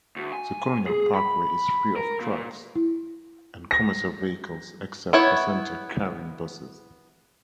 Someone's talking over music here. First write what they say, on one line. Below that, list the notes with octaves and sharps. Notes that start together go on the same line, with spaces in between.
The Colonial Parkway is free of trucks and commercial vehicles except passenger-carrying buses.
D2
G#5
G#4
B5
A#4
A#2
E4
A#6
B3 E4 C#5